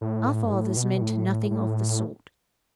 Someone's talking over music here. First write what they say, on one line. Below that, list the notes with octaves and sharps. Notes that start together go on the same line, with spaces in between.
Our fathers meant nothing of the sort.
A2
G2
A2
B2
A2
A2